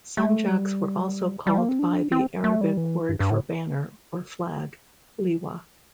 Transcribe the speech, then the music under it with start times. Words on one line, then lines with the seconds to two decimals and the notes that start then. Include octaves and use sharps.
Sanjaks were also called by the Arabic word for banner or flag: "liwa".
0.17 A3
0.49 G3
1.47 G3
1.58 A#3
1.69 C4
1.79 D4
2.12 C4
2.44 A3
2.61 G3
2.77 E3
3.09 G2
3.20 G2
3.30 A2